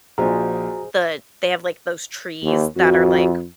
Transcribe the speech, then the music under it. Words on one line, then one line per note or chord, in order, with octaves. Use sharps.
the they have, like, those trees that are, like
A#1 F3 F#4 G#4 C5 D#5 A#5
D#2
F2 F#4